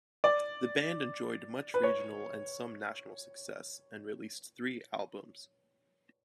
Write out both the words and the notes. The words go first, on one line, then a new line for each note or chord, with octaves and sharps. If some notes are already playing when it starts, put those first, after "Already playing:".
The band enjoyed much regional and some national success, and released three albums.
D5
B4
C#5